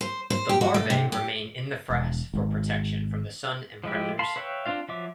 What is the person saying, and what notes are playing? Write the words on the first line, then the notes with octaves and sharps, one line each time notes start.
The larvae remain in the frass for protection from the sun and predators.
C5
C5
G4
F#4
A3
C3
G4
E1
G#1
F3 G#3 E4 G4
F5 A5 B5 C6
B4 C#5 E5 F5 G5
C4 D4 F4 F5
F3 F#3 E5 D6